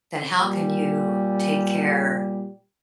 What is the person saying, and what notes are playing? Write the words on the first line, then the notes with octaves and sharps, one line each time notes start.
then how can you take care
A#2 G3